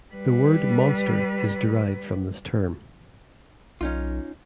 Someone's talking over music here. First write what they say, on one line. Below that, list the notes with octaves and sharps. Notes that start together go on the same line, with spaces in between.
The word monster is derived from this term.
G3 B4
B1 C#4 D#4 F4